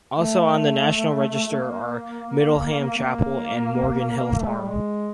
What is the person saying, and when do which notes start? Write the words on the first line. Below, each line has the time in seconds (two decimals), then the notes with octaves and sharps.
Also on the National Register are Middleham Chapel and Morgan Hill Farm.
0.18 A3
1.58 A#3
2.97 A#3
4.38 A3
4.48 G#3
4.58 G3
4.68 G#3